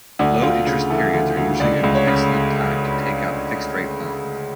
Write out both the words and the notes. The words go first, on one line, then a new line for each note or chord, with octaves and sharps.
Low-interest periods are usually an excellent time to take out a fixed rate loan.
D2 D4
D2 F4
C#3
E3 A4
D2
D2
C#2 D5
C#2
C#5
C#3